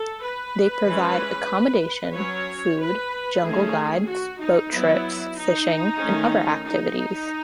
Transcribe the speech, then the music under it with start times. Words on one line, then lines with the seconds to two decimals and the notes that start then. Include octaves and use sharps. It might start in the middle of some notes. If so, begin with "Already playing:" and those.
They provide accommodation, food, jungle guides, boat trips, fishing and other activities.
Already playing: A4
0.23 B4
0.87 E3 G#3 C#4
2.15 F#3 C#4 C#5
2.80 B4
3.44 D#3 A3 C#4 G#4
4.08 F#4
4.40 D#4
4.72 F#3 B3 E4
5.37 D#4
6.01 D#3 A3 C#4
6.65 D#4